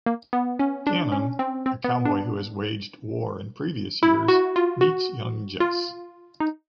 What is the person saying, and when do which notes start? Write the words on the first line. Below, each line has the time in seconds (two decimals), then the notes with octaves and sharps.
Gannon, a cowboy who has waged war in previous years, meets young Jess.
0.06 A#3
0.33 B3
0.59 C#4
0.87 D4
1.12 C#4
1.39 C4
1.66 C4
1.84 B3
2.05 D4
4.03 E4
4.28 F#4
4.56 F4
4.81 F#4
5.60 F4
6.40 D#4